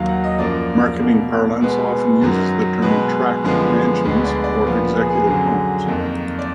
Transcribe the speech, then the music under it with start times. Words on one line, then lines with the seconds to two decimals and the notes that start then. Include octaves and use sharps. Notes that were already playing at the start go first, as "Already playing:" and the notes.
Marketing parlance often uses the term "tract mansions" or executive homes.
Already playing: D#2 D#3 F#3 F5
0.08 F#5
0.24 D#5
0.38 F#2 F3 A#3 D5
0.99 B2 A#3
1.61 B2 G#3 B3
2.21 F#2 D#3 F#3
2.82 B2 G#3 B3 B4
3.42 F#2 D3 F3 G#3 B3
4.04 D2 D3 G#3 B3
4.24 D5
4.44 D5
4.64 A#2 F3 B3
4.95 G#4
5.10 G#4
5.25 F#2 D3 F#3
5.86 F2 D#3 A#3
6.39 D5